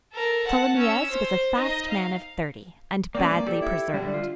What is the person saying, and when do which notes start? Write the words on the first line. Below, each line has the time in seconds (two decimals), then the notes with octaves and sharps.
Tholomyes was a fast man of thirty, and badly preserved.
0.13 A4 A#4
0.47 F#5 A5
0.76 C#4 E6
1.09 C5
1.55 D#4 D#5
1.90 F5
3.15 A#3 C4 C#4 D5
3.31 G#3 A#3
3.47 G4 A4
3.62 E4
3.94 D3 G3 D4
4.14 F4